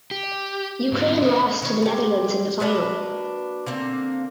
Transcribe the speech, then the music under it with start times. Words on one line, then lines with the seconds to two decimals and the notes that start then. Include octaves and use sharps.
Ukraine lost to the Netherlands in the final.
0.11 G4
0.92 G#2 D3 C4 F4
1.22 C#4 A#4 B4
1.62 D#3 C#5
1.82 G#3 G4
2.60 A#3 D4 F#4 B4
3.66 D3 A#3 C4